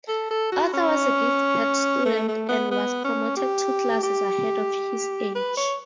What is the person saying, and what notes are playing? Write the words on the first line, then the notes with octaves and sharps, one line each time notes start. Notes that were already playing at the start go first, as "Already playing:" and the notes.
Arthur was a gifted student and was promoted two classes ahead of his age.
A4
A4
F#4
C#4
A3
A3
B3
B3
C#4
G4
G4
B4
C#5